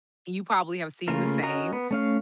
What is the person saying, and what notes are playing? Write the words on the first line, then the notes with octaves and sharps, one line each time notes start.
you probably have seen the same.
C#3 A3 A#3 F4 A#4
C#4 F#4 A#4 D#5 A#5
B3
A3 C#4 F5